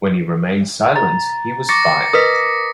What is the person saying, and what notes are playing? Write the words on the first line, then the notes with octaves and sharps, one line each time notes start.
When he remained silent, he was fired.
A#5 A6
C#6 D6 A6 A#6 C#7
A#4 B4 D#5 D#6 B6